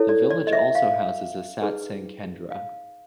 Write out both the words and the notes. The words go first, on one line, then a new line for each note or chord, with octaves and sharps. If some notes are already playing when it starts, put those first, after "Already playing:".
The village also houses a 'Satsang Kendra'.
Already playing: E4 A4 C#5
D5
D5
D#5
E5
F5
D#4 G#4 B4
F5